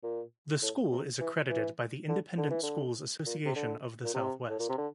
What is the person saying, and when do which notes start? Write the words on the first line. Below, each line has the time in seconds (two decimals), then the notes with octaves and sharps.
The school is accredited by the Independent Schools Association of the Southwest.
0.03 A#2
0.62 A2
0.92 C3
1.21 E3
1.50 E3
2.09 D3
2.38 D3
2.50 E3
2.63 D3
3.26 A#2
3.45 C3
3.55 D3
4.04 A#2
4.14 C3
4.49 A2
4.59 A#2
4.69 C3
4.78 D3